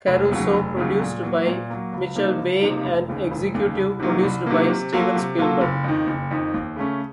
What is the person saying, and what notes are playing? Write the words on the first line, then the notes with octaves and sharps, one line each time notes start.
Caruso, produced by Michael Bay and executive produced by Steven Spielberg.
F1
D#2 C#3 F#3
F1
D#2 C#3 F#3
A#2
F#3 A#3
A#2
F#3 A#3
C#2
C3 F3 A#3 D#4
C#2
C3 F3 A#3 D#4
F1
D#2 C#3
F1
D#2 C#3
C2
C3 D#3 F#3 A#3
C2
C3 D#3 F#3 A#3
C3
F#3 A#3 F4 A4
C3
F#3 A#3 F4 A4
F#1
F2 D#3
F#1
F2 D#3
D#2
C#3 A3 C#4